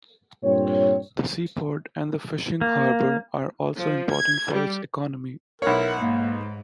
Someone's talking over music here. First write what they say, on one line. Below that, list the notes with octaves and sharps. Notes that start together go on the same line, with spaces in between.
The seaport and the fishing harbour are also important for its economy.
G2 A#2 C4 C#5
A#3
F3
G#6
G3
B1 E4 A#4 C#5 F#5
G#2 A#3